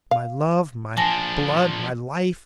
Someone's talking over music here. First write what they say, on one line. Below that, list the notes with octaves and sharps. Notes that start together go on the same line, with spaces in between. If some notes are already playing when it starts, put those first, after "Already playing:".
My love, my blood, my life!
F5
F3 D4 G#5 A5 A#6